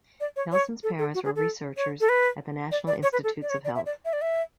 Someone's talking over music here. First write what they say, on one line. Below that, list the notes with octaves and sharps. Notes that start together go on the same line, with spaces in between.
Nelson's parents were researchers at the National Institutes of Health.
D5
C#5
C#5
A4
A4
F#4
G#4
A4
C#5
A4
B4
D5
D5
C#5
B4
A4
D5
C#5
D5
E5
D5
E5
D5
E5